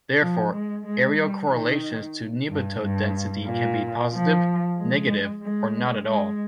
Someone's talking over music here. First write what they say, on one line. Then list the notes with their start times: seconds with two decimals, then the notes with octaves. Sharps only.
Therefore, aerial correlations to nematode density can be positive, negative or not at all.
0.18 F3
0.51 G#3
0.84 G#3
1.16 G3
1.49 D#3
2.48 G2
2.81 G2
3.45 A#2
4.11 F3
4.77 G#3
5.42 G#3
6.08 G#3